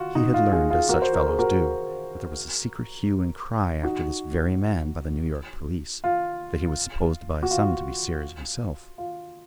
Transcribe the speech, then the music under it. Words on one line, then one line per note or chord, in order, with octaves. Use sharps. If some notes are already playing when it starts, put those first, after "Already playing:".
He had learned, as such fellows do, that there was a secret hue and cry after this very man by the New York police; that he was supposed by some to be Sears himself.
Already playing: F4 F#4
D#4
F4
F4 G#4
F4 G#4
F#4 A#4
C5
F#4 A#4
G#4
F#4 A#4
D#4 F#4
F4
F#4
F4
F4